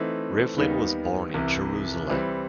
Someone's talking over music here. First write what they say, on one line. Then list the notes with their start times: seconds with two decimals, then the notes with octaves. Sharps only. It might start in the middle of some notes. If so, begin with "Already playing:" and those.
Rivlin was born in Jerusalem.
Already playing: E3 A3 C4 D#4
0.58 D#2 D#3 G3 B3 D#4
1.34 C2 C3 E3
2.09 E3 G3 C4 E4